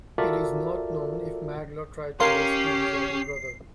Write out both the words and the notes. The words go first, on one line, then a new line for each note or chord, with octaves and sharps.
It is not known if Maglor tried to rescue his elder brother.
F4 F#4 A4 A#4 D5 E5
C#4 G4 A#4 F5 C6 C7